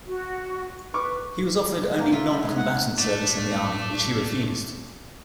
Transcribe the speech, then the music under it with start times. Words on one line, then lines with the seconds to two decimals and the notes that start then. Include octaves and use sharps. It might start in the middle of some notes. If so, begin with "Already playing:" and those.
He was offered only non-combatant service in the army, which he refused.
0.07 F#4
0.94 B4 C#6 D6
1.83 G#3
1.99 A#3 C#4
2.13 F4 E5
2.31 G3 D#4
2.43 G#3 D#4
2.57 F#5
2.98 A2 A3 D4